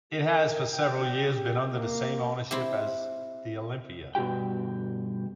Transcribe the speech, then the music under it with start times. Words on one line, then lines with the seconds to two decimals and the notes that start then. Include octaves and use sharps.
It has for several years been under the same ownership as the Olympia.
0.21 A#4
0.74 G5
1.30 G4
1.74 A#3
2.51 C4 E4 G4
4.15 G2 B2 F#4 G4 G5